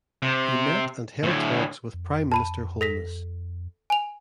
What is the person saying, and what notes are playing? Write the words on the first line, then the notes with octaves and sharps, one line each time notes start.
He met and held talks with Prime Minister Holness.
C3
D2 A2
F2
A5 B5 D#7
A4 A#6 B6
G#5 F7